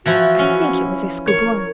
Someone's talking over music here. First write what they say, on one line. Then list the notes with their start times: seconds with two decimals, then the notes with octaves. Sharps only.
I think it was Escoublon.
0.06 E3 F3 E4 F#4
0.39 C#4
1.27 A#4 C#5